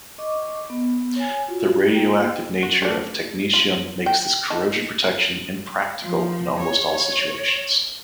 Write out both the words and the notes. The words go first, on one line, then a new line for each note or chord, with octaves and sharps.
The radioactive nature of technetium makes this corrosion protection impractical in almost all situations.
D#5 C#6 D6
B3
C#5 G#5
F4 F#4
A#3 F4 G5
F#4
A3 D4
F4
G5
D#4 A5
F3
C#5